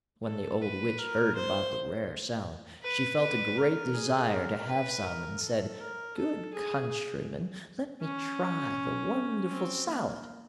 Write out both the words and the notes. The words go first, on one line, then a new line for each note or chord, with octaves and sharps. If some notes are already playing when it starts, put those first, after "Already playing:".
When the Old Witch heard about the rare salad, she felt a great desire to have some, and said: 'Good countryman, let me try the wonderful salad!'
A4
B4
A#4
C5
B4
B4
A#4
G#4
A#4
B4
A#4
A4
A#4
A4
G#4
C#4
C4
A#3